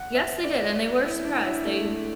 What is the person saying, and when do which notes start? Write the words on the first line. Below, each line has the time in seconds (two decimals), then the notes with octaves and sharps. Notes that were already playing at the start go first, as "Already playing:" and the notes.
Yes, they did and they were surprised. They
Already playing: F#5
0.15 E5
0.44 D5
1.04 E4
1.25 D4
1.46 E4
1.66 A3
1.85 A3